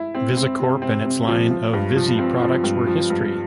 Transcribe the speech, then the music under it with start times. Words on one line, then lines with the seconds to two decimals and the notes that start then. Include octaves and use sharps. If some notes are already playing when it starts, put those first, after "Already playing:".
VisiCorp, and its line of "VisiProducts", were history.
Already playing: E4
0.15 C4
0.37 C4
0.60 C3
0.82 C4
1.05 C3
1.28 F3
1.50 F3
1.73 G2
1.96 F3
2.18 C4
2.41 F3
2.64 G2
2.87 F3
3.10 G2